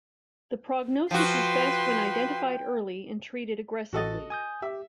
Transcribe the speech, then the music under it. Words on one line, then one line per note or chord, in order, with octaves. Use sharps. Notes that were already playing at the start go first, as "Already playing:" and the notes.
The prognosis is best when identified early and treated aggressively.
F3 F#4 B4 G5 C6
A1 F#4 A4 D#5 A6
G#5 D#6 G6
G4 E5